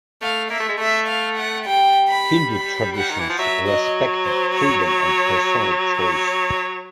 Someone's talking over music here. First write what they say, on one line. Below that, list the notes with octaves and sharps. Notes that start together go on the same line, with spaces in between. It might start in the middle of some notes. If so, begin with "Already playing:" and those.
Hindu traditions respected freedom and personal choice.
A3 F5
A#3 E5
A3
G#3
A3 E5
F5
F#5
G3 G5
B5
B5
F#5
D#3
E3
F3
F#3 E5
D#5
C5
C#5
C#5
C#5